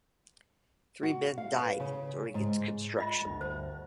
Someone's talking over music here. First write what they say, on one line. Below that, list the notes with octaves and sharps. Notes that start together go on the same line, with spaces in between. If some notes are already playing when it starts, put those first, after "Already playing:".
Three men died during its construction.
F#4
F5
B4
C#3
G#2
F4 D#5 B5
D2 G2
C5